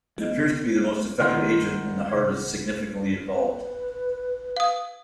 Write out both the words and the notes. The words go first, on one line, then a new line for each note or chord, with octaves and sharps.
It appears to be the most effective agent when the heart is significantly involved.
F3 B3 D#5
D#3 F#5 C6
C3 G#4 G#6
B4
F5 D#6